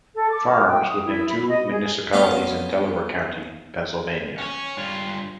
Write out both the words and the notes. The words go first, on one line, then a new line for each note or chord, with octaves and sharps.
Farms, within two municipalities in Delaware County, Pennsylvania.
A4
D6
A#4
G5
D#6
E4
B5
D#5
G#4
B3 C#4 F4
C#4 C#5
G2 F4